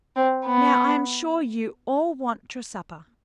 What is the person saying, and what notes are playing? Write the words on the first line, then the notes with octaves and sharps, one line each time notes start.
"Now I am sure you all want your supper."
C4
B3